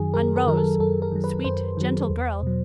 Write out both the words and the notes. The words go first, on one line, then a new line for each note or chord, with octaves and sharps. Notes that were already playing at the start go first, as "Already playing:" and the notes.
On Rose, sweet, gentle girl!
Already playing: F#2 D#3 F#3 G#4
F#2 A#4
A#4
D#3 F#3 A#4
A4
F#2 A4
A#4
D#3 F#3
B4
F#2 C5
D#3 F#3
E2
B2 F#3